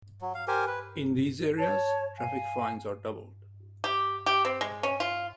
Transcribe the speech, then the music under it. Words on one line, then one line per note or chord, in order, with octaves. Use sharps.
In these areas, traffic fines are doubled.
F#3
F5
G4 A#4 C5 G#5
B4
C#5 A5
F5 G#5
G4
G4
C4
G#3
C#4
F4